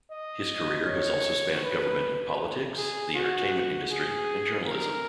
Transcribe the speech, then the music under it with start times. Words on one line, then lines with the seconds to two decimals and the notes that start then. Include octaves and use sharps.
His career has also spanned government and politics, the entertainment industry and journalism.
0.11 D#5
0.87 C#5
1.63 B4
2.77 G#4
3.14 F#4
3.91 G#4
4.67 A#4